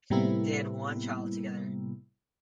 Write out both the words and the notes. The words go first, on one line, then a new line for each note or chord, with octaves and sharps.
They had one child together.
A2 C3 G3 A#3 B3 E4